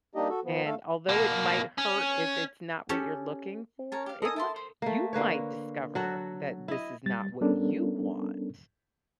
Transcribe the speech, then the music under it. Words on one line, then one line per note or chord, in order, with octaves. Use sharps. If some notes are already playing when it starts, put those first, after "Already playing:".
And although it might hurt if it's not what you're looking for, it might you might discover that this is not what you want.
G3 A#3 D4 D#4 G4 D#5
F#4 A4
F3 B3
A3 A4 F5
B2 A#3
C#4
C#4 G4 A4 C#5
A#4 C#5 A5
G4 F5
A4 A#4 D#5 G#5 D#6
E4 A5 C6
C5
A3 A#3
D3 A#3 B4 C#5
F#3 F#4 A4 F#5
E4 D#5
G3 A6
G3 B3 C#4 D4 A4 A#4